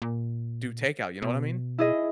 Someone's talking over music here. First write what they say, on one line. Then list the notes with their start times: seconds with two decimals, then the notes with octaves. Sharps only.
do takeout, you know what I mean.
0.02 A#2
1.22 B2
1.78 E4 G#4 D#5